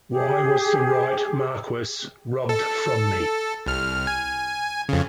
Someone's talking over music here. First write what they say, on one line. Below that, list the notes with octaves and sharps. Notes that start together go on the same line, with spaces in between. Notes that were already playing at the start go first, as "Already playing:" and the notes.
Why was the Right Marquess robbed from me?
G4 G#4
A4
C2 F6
G#5
F2 C#3